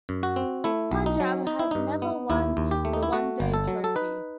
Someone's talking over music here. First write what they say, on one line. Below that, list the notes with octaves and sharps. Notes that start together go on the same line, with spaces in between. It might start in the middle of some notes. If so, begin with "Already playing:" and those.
Punjab have never won the one-day trophy.
F#2
F#4
C4
A3 E4
B1
D#4
F#3
D#4
E4
G2 D#4
B3
D#2 E4
D#2
G4
A3
D#4
E4
A3 F#4
G1
A4
F#3
A4
D#4 B4